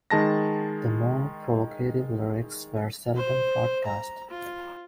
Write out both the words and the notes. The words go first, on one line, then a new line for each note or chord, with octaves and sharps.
The more provocative lyrics were seldom broadcast.
D#3 G#3 A5 A#6
C5
A#5
F4